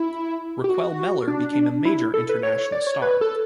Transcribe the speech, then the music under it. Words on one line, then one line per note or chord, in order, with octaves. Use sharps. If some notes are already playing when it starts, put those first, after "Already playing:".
Raquel Meller became a major international star.
Already playing: E4
G4
F#4
D4
E4
A4
B4
C#5
C#5
D5
C#5
B4
A4